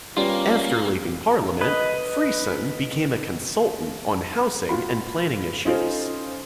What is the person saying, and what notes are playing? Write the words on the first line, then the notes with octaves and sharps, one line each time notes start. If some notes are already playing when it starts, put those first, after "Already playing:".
After leaving Parliament, Freeson became a consultant on housing and planning issues.
G3 A#3 B3 C#4 F4
B4 D#5
F4 F#4 B5
C#4 D#4 F4 A4 C5